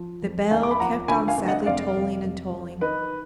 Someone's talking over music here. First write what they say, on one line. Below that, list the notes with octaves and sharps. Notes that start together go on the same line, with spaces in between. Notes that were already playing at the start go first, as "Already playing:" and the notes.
The bell kept on sadly tolling and tolling.
Already playing: F3
F2
D#2 F5 G#5
D6
B5
F3 F#5 A#5
D2 G#5 B5
F5 G#5
D2
D#5 F#5
F1 D5 F5
F1
F1
F2
D#3 B4 D#5